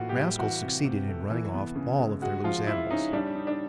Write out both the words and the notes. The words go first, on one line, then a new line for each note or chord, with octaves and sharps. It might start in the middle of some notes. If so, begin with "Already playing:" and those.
The rascals succeeded in running off all of their loose animals.
Already playing: A2 E3 A#3 F4 F#4
G4
G3
E3 F#4
C3
C3
A3
E3
B3
C#3
G#3
G#3 F#4
F3 F4
F3 E4
C#4 D#4
G3 D4
D#4
D4